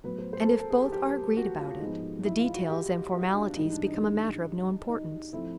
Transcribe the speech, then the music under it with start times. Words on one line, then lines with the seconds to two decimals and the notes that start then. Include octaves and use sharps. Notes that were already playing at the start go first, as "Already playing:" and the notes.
And if both are agreed about it, the details and formalities become a matter of no importance.
0.04 A2 F#3 B3 B4
0.18 C5
0.33 C5
0.42 A4
0.48 A#4
0.59 A4
0.70 G#4
0.82 G4
0.92 G4
1.37 F#4
1.59 F4
1.80 G#2 F3 G#3 B3 D#4
2.25 E4
2.39 F4
2.54 F#4
2.69 G4
3.13 F#4
3.34 D4
3.46 D4
3.56 G#2 E3 G3 D#4
3.72 D4
3.86 D#4
4.89 D#4
5.33 F3 A3 C4 E4